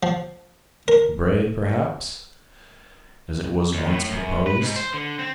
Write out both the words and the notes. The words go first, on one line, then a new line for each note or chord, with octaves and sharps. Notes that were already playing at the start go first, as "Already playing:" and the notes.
Debray, perhaps, as it was once proposed.
F3
A#4
D#2
A2
F#2
B4
G#2
C5
D3
C4